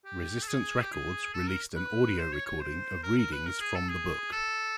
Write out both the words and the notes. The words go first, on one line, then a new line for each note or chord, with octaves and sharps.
Resistance Records released an audio recording of readings from the book.
G4
A4
G#4
G4
G#4
A4
A#4
B4
C5
C#5
C#5
C5
A#4
A#4
B4
A#4
G#4
A4
G#4
A4